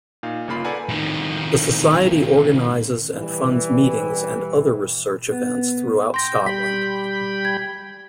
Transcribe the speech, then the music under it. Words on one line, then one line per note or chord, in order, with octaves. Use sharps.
The Society organises and funds meetings and other research events throughout Scotland.
A#2 D#4 F5
G1 C#3 A#3 F4 B5 C7
A4 B4 D5 F#5 G#5 A#5
A2 D#3
E3 G3
B3
G5 C6 A#6
G3 G5 B5 B6
G#6